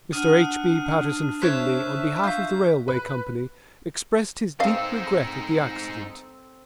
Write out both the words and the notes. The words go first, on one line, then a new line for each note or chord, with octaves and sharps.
Mr. H. B. Patterson Finlay, on behalf of the railway company, expressed his deep regret at the accident.
D4 F#5 D#6 F6 D#7
C5 C#5 E5 C#6 F#6 B6
F4 G6 B6
B4
C4 D#4 A4 C5 D#5 F5